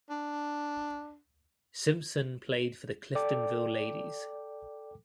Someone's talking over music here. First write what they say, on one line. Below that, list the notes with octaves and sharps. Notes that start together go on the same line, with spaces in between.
Simpson played for the Cliftonville Ladies.
D4
A4 D5 G5 D6